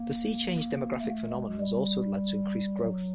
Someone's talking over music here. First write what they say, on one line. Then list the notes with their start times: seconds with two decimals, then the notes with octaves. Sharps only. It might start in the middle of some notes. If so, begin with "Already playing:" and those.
The Seachange demographic phenomenon has also led to increased growth.
Already playing: A#3
1.00 A3
1.30 G#3
1.60 G3
2.78 F#3